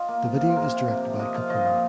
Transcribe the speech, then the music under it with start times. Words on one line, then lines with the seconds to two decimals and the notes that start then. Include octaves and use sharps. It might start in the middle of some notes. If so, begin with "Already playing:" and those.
The video is directed by Capone.
Already playing: F4 D#5
0.08 A#3
0.24 F3
0.40 C3
0.50 C5
0.56 C3 A#4
0.72 C3
0.88 C3
1.03 C3
1.19 C3 D#5
1.34 F3 F5
1.50 F3 D#5
1.65 A#2